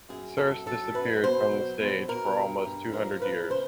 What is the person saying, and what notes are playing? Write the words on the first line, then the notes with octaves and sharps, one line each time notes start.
"Serse" disappeared from the stage for almost two hundred years.
F#2 G#4
F#2 A4
F#3 A4
F#2 B4
B2 C5
F#3
B2
B2 A#4
G2
G2
F3 A#4
A#4
F3 B4
C#3 C5